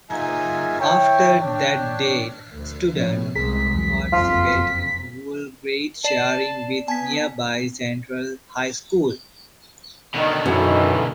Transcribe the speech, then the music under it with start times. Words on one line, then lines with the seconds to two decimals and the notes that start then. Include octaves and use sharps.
After that date, student participated in whole-grade sharing with nearby Sentral High School.
0.11 A#3 D#4 F4 G#4 E5 G#5
0.80 E4 C#5 E5 G5
1.41 D4 C#5 G5
2.52 D2
2.96 A2 F3 C#4 C#5
3.35 C2 G#3 G#4 A#5 B6
3.74 E2 F#3
4.12 F#1 F2 F4
6.04 D5 A5 C7 E7
6.88 B3 G#5 A5 B6
10.15 B2 D3 D#3
10.46 B1 F#2 D#3 E3